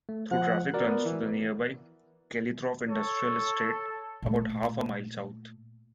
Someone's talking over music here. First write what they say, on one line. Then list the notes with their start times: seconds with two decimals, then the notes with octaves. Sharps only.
Through traffic runs to the nearby Kelleythorpe Industrial Estate about half a mile south.
0.09 A3
0.31 F3 F#5
0.74 F#4 A#4 D5
0.86 B3
1.05 E3
2.89 A4 C#5
4.22 A#2 A3